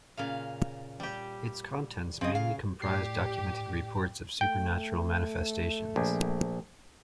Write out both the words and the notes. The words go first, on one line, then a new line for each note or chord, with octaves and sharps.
Its contents mainly comprised documented reports of supernatural manifestations.
A#2 C#3 F5
G3 G4
C#3 C4 D#5
F5
A2 G4 D5 C7
A3 G5
A#1